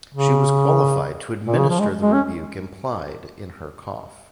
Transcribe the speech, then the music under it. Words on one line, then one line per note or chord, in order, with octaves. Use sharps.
She was qualified to administer the rebuke implied in her cough.
C#3
A#2
C#3
F3
G#3
G#3
C#4